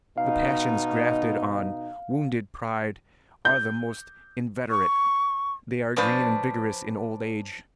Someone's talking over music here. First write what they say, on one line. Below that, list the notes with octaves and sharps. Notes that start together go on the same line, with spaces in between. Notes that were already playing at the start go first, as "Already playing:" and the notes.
The passions grafted on wounded pride are the most inveterate; they are green and vigorous in old age.
B2 D#4 F5
G6
C#6
F3 C#4 D4 B4 C5 D5